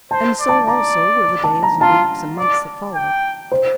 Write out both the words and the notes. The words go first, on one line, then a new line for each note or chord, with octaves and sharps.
And so also were the days and weeks and months that followed.
C5 A5
D5
A5
D5 A#5
A5
A#5
F4 A5
D5
G5
C5